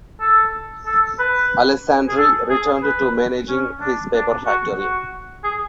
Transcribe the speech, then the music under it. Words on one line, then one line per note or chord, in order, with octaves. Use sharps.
Alessandri returned to managing his paper factory.
A4
A4
B4
G#4
A4
G#4
B4
C#4
D4
D4
F#4
F#4
G#4